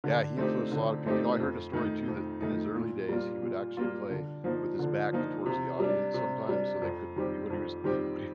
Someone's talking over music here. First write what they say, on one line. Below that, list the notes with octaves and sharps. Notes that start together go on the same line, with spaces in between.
Yeah, he influenced a lot of peop you know, I heard a story too, that in his early days, he would actually play with his back towards the audience sometimes so they couldn't see what he was what he
D3
A3 C4 D#4 G4
D3
A3 C4 D#4 G4
F2
D#3 A3 D#4
F2
D#3 A3 D#4
A#2
G3 A#3 F4
A#2
G3 A#3 F4
D3
F3 A#3 D#4
D3
F3 A#3 D#4
C3
G3 D4
C3
G3 D4
F2
D#3 G3 C4 G4
F2
D#3 G3 C4 G4